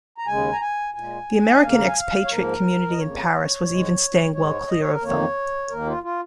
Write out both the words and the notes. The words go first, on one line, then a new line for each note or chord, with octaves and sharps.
The American expatriate community in Paris was even staying well clear of them.
A#5
D#2 C#3 G#3 G#5
A#5
G#5
A#2 G#3 G#5
D#5
D#2 C#3 A#3 F5
A#5
G#5
F5
C#5
G#2 F3 A#3 A#4
D#5
F2 C#3 A#3 C#5
G#2 G#3
G#2 G#3 C#5
D#5
C#5
A#4
F2 D#3 A#3 C#5
D#2 D#3 A#3 A#4
F4
F4